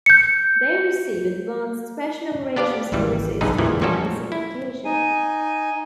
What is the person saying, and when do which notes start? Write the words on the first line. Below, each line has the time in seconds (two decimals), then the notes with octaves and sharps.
They receive advanced special operations forces training and certification.
0.06 G6 C#7
2.56 B3 D4 G4 D5 F5
2.92 G#1 C#2 E3 G3
3.41 B1 G2 D3 D#4 G#4 B4
3.58 F2 A#2 D3 E3 F3
3.81 A#2 F3 G3 C#4 F#4 A4
4.32 E4
4.85 D#4 G#5